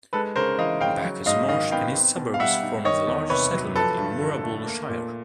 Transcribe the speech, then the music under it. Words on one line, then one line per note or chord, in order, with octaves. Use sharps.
Bacchus Marsh and its suburbs form the largest settlement in Moorabool Shire.
G#3 A4 B4
C#3 A#4 C5
E3 D#5 F5
C#3 F5 G5
F#3
G#2 D#5 F5
D#3 D#5 F5
B3 F5 G5
C4
B2
F5
G3 E5 F#5
D#4
D#3 C#5 D#5
E2
C3 B4 C#5
F#3
F3 A4 B4
G2
D3
A3
A#3
A#2